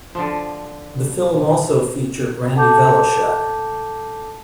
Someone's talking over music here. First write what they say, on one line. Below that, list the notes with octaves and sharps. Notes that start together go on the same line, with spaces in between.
The film also featured Randy Velischek.
D3 F3
A4 F#5 A5 D6 G6